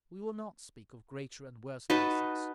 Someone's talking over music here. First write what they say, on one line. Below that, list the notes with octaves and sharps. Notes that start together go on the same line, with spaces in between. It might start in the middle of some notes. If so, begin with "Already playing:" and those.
We will not speak of greater and worse license.
D#4 F#4 B4 A5